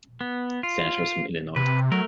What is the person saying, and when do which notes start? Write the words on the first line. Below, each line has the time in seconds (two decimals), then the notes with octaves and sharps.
Senators from Illinois.
0.21 B3
0.63 F4
1.56 C3 B4
1.92 F#3 A3 A#4